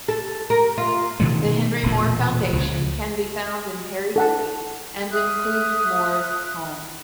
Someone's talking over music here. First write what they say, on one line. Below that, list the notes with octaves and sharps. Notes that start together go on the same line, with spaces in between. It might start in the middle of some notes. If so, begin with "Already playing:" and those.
The Henry Moore Foundation can be found in Perry Green, and includes Moore's home.
A4
A#4
F4
B2 D#3 G#3 A3
E1 A#2
C#2 C#3
A4 F#5 A5
E5 D#6 F6 F#6